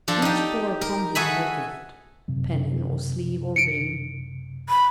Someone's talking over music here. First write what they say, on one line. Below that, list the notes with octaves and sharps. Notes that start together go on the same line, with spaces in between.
Each bore upon him her gift--pennon, or sleeve, or ring.
F3 D4 A4
D#4 G4
A#4
F#4 G#4 A4 E5 G#5 B5
F#2 C3
C#7 D7
B5